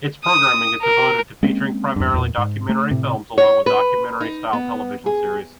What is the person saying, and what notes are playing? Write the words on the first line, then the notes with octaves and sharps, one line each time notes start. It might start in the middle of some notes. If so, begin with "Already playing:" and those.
Its programming is devoted to featuring primarily documentary films along with documentary-style television series.
D#6
A#4
G#3 A#3 C4 C#4
E2 G2
E2 A#2
G#2
A3
A2 C3
C#5
B4
D#4
B3
G#4